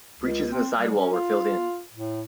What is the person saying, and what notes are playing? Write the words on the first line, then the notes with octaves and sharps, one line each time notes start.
Breaches in the side wall were filled in.
C#2
C4
G3
C#4
F4
A2